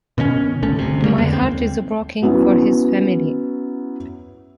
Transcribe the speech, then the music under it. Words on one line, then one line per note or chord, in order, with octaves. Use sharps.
My heart is broken for his family.
B2 D#3 C4 C#4
D1 C#2 A3 C#4
G1 D2 C3
C#3 G3 A#3
F2 D3 G#3 B3
D#2 C4
F#3 B3 C#4 E4